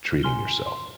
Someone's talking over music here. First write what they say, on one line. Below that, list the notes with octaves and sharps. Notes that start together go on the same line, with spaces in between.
Treating yourself?
G#5 C6 F6 G7
C6